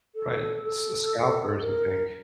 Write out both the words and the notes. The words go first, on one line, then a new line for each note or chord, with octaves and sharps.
Right, s scalpers, I think.
A4
A4
A#4